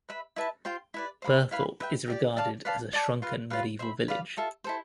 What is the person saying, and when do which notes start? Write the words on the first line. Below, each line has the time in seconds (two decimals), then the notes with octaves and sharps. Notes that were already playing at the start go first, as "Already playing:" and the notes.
Birthorpe is regarded as a shrunken medieval village.
0.09 B4 E5 B5
0.36 E4 B4 E5 A5
0.65 F4 C5 G5 C6
0.94 E4 B4 D5
1.22 C5 F5 B5 D6
1.51 E4 B4 F5 B5
1.80 B4 E5 G5
2.08 G4 D5 G5
2.37 D5 F5 A5 D6
2.65 B4 D5 F5 A5
2.93 D5 A5 D6
3.22 F4 B4 F5
3.50 F4 B4 F5
3.79 C5 E5 B5
4.08 B4 D5 F5
4.37 F4 A4 E5
4.64 E4 A4 C5